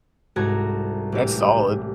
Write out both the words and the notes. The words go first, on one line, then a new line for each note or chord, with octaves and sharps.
that's solid.
C2 G#2 F#4 A4 A#5 G#6
A1 G4